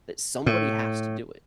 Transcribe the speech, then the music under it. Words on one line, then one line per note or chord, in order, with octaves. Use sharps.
that somebody has to do it.
A2